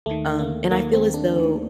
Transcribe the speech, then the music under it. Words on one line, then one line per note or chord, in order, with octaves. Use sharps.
um, and I feel as though
D#2 D#3 A3
A#3
D#2 D#3 A#3
C4
D4
D#2 D#3